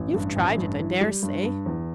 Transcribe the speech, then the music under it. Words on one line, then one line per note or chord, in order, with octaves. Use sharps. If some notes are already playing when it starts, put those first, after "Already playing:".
You've tried it, I dare say.'
Already playing: A1
G2
A1
G2
E3
G3
G2
G2
E2